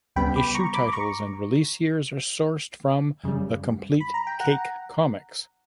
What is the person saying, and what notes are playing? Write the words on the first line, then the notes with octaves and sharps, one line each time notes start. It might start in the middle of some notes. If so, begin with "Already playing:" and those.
Issue titles and release years are sourced from "The Complete Kake Comics".
D2 C#3 G3 B3 G5 B5
B5 D6
A#5 C#6
B5 D6
D6
A#5 C#6
F#2 C#3 G3
B5
A#5
G5
F#5 A#5